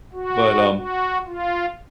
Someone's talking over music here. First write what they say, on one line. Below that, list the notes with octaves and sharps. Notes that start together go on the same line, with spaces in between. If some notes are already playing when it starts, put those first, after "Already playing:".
but, um,
F#4
F#4
F4